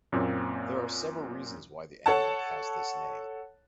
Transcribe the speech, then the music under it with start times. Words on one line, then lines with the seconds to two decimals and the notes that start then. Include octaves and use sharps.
There are several reasons why the amulet has this name.
0.12 F#2 A#2 A#3 C4 C#4
2.06 A4 C#5 F#5 A5